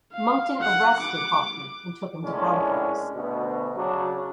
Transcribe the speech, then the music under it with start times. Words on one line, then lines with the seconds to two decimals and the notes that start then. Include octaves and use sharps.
Monckton arrested Hoffman and took him to Halifax.
0.13 F5
0.61 F#5
1.01 D6
2.23 A#1 A2 G#3 C#4 D4
3.15 D2 B2
3.75 C#3 F#3 D4 F#4